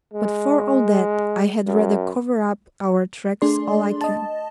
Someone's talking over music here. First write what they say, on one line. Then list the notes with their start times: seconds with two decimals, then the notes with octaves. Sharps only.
But for all that, I had rather cover up our tracks all I can.
0.14 G#3
1.66 F#2
3.42 A3 D4 G#4 D5 C6
4.01 D#5 A5